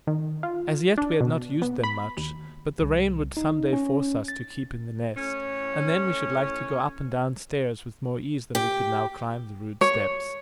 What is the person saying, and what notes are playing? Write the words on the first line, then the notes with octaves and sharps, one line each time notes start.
As yet we had not used them much, but the rain would some day force us to keep in The Nest, and then we should like to go up and down stairs with more ease than we could now climb the rude steps.
D#3
F4
D4
B2
B3
B5
D#2
C2
D#4
C#4
A6
A2 C#4
G4
C#5